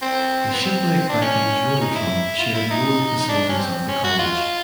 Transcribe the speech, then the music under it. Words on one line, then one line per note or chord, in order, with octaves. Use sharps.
The Shiplake Vikings Rowing Club share the rowing facilities of the college.
C4
B3
C4
D4
C#4
D#4
E4
F4
E4
D#4
D#4
D4
C#4
C4
C#4
F#4
F4